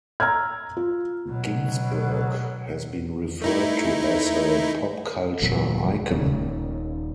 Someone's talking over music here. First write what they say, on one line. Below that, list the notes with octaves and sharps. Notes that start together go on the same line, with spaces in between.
Ginsburg has been referred to as a "pop culture icon".
A#5 E6 F6 G#6
F4
B2 F#3
A3 D#4 E4
E1 D2 A#2 F#3
D#1 D#2 C#4